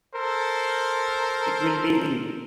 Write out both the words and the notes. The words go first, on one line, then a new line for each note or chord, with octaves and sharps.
It will be ill.
A4 A#4 C5